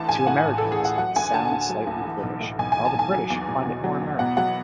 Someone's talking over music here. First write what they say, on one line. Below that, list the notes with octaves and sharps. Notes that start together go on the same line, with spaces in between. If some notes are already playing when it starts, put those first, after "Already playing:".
To Americans, it sounds slightly British, while the British find it more American.
Already playing: D2 E3 A5
A1 G#5
A2 F#5
A1
A4
E3
G#4
A1 F#5
F#3 F#5
D2 G#5
D3 A5
D2
F#3
D2
E3
B1
A2
B1 G#5
G#5
E3
A5
B1 G#5
F#3
E2
B2
E2
F#3
E2
B2 F#5
F#3 F#5